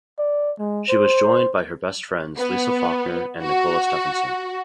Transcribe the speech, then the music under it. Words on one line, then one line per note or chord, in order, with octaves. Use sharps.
She was joined by her best friends Lisa Faulkner and Nicola Stephenson.
D5
G#3
C5
B3
F#4